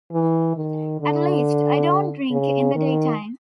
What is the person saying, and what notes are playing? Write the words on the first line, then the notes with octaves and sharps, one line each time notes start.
At least I don't drink in the daytime.
E3
D#3
D3
C#3
D#3